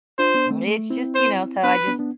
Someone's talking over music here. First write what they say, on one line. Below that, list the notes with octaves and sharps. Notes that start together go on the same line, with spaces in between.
It's just, you know, so I just
D4 F4 C5
B3 D4
A3 C4
A3
C4 E4
C5
B3 D4 B4
B3 D4
B3 D4